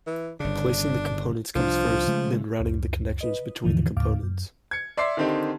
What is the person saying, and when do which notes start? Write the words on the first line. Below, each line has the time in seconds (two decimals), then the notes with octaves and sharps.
Placing the components comes first, then routing the connections between the components.
0.06 E3
0.40 G1 C#3 D4
1.55 C2 F3 C#4 D4
2.07 C#3 G#3 A3
2.60 C#2 F#2
3.21 B4 D#5
3.64 D#2 G#2 D3 E3 F3
3.96 D2 G#2 C#3 F5 D6
4.23 F#2
4.71 G#6 C#7
4.97 D5 E5 C6 D6 C7
5.17 D3 D#3 C4 D#4 G4